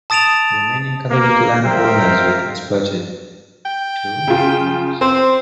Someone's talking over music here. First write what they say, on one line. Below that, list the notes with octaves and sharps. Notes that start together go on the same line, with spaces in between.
The remaining Catholic landowners were transplanted to Connacht.
A5 D#6 A6 D7 E7 F7
A#3
A#4 C5 E5 F5 G5
G5
C#3 F4
C4 C5